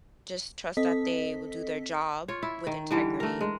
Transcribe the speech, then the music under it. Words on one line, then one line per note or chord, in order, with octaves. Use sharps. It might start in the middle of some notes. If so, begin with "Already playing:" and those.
Just trust that they will do their job with integrity
C4 A4 D#5 B6
F4 C#5
E4
D#3
D3 E3 G3
A3 A#4
G#3